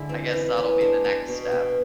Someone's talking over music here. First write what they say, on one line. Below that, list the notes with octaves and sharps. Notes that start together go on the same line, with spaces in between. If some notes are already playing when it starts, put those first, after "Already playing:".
I guess that'll be the next step.
Already playing: D3 G#3 E4
E3 C4
E3
B3 C#4
G#3 D4
B3
B2
B2